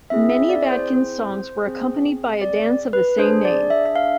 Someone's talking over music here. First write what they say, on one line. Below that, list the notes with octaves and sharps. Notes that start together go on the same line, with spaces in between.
Many of Adkins' songs were accompanied by a dance of the same name.
C4 E4 G#4 E5
E5
D5
C5
C4 G#4
D5
B4
D4 G#4 C5
D5
E5
E5
F5